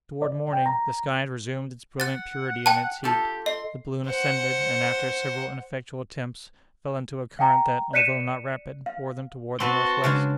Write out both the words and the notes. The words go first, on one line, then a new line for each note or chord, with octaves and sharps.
Toward morning, the sky had resumed its brilliant purity and its heat. The balloon ascended, and, after several ineffectual attempts, fell into a current that, although not rapid, bore them toward the northwest.
D5
G5
A#5
F#5 F#6 A6
G5 A5
F4 G4 A4
D#5 C6
C5 F#5
F5 G5 G#5 A#5
D5 F#6 B6 C#7 D#7 E7
F5
C4 F#4 B4 A5 C6
C#3 G#3 D4